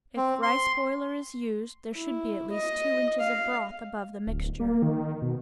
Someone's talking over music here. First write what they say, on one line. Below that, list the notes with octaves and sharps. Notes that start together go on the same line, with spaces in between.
If rice boiler is used there should be at least two inches of broth above the mixture.
C4
C6
E4
D#5
F5
D1
A#3
D#3
B2